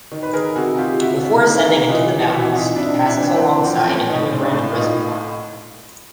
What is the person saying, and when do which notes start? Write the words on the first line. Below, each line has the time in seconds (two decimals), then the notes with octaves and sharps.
Before ascending into the mountains, it passes alongside Emigrant Reservoir.
0.11 D#3
0.23 B4
0.33 G#4 A#4
0.55 C3 F#4 G#4
0.77 F4 G4
1.00 C3 E4 F#4
1.44 D#3
1.88 E3 D#4 F4
2.32 C3 E4 F#4
2.55 D#4 F4
2.76 C3 D4 E4
3.06 D4 E4
3.22 E3
3.35 C4 D4
3.66 F3 C4
3.87 C#4
4.09 A2 C#4 D#4
4.31 C4 D4
4.53 A2
4.75 D#4 F4